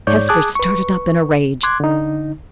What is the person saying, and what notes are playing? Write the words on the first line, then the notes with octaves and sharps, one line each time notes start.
Hesper started up in a rage.
G#2 C#5 D5 G6
G#4 A5 D6 D#6 F#6 G#6
B4 C#6
C6 D6 F#6 G#6
D3 D#4